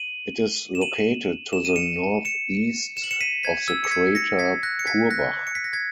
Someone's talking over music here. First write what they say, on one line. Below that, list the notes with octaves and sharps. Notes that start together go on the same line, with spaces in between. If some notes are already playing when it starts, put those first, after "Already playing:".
It is located to the northeast of the crater Purbach.
Already playing: D#7 F#7
E7
D#7 F#7
E7
D#7
C#7 E7
C#7 E7
E7
F#7
C#7 E7
B6 D#7
G#6 B6
E6 G#6
C#7
G#6 B6
A#6 C#7
G#6 B6
F#6 A#6
C#7
G#6 B6
F#6 A#6
C#7
B6
A#6
G#6 B6